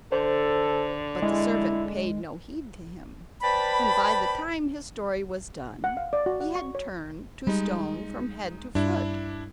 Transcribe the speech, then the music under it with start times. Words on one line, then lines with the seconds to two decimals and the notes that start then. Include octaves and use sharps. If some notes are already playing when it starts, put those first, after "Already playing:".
But the servant paid no heed to him, and by the time his story was done he had turned to stone from head to foot.
0.12 D3 A4 C5
1.23 G#3 E4
3.43 B4 C5 D5 G5 A5 B5
5.84 F#5
5.97 F5
6.13 D5
6.26 F#4
6.41 F#5
6.55 C#6
6.75 C#5
7.47 G3 G#3 D#4
8.75 G2 D4 E4